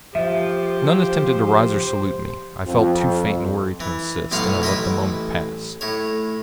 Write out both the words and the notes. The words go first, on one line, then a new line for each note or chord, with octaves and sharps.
None attempted to rise or salute me. I felt too faint and weary to insist, and I let the moment pass.
F3 G4 C5 E5
F2
E3
B1 A2 F4 F5 F#5
A1 E4 D#5 E5 D#6
A2 C#5